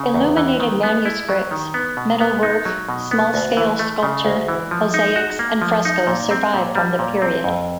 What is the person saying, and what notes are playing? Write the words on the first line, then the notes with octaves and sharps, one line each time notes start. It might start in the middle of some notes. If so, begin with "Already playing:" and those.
Illuminated manuscripts, metalwork, small-scale sculpture, mosaics, and frescos survive from the period.
Already playing: C#3
E2
E3
D#3
B3
E4
F#3
D#3
B3
B2
B3
D#4
F#3
B2
B3
D2
E3
A3
C#3
D2
E3
F3
D#4
F#4
A#3
F3
D#4
A#2
C4
A#2
G3
A#2
C4
F2